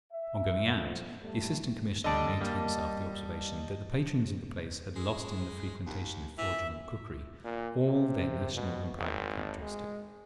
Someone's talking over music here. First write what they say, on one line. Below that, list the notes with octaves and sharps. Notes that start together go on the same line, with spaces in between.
On going out the Assistant Commissioner made to himself the observation that the patrons of the place had lost in the frequentation of fraudulent cookery all their national and private characteristics.
E5
F2
G3 A3
D3 G3 D5 D#5 A5
G3 A#3
G#3
D#2
E3 E5
A#2
C3
B2
G#1
G#3